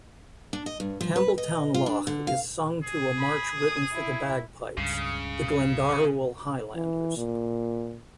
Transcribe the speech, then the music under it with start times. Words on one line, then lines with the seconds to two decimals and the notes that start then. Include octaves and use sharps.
Campbeltown Loch is sung to a march written for the bagpipes, "The Glendaruel Highlanders".
0.53 D4
0.66 D#5
0.80 G2
1.01 F3
1.16 B4
1.38 D#5
1.74 F4
1.86 D4
2.07 D3
2.27 F5
2.84 G#4
3.19 B5
3.58 D#6
3.93 E4
4.78 C#2 G2 C#3
6.75 E3
7.17 A#2